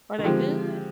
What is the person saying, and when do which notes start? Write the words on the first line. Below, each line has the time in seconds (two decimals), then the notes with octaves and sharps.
Are they good?
0.19 D#3
0.24 D3 F3 G#3 C4 G4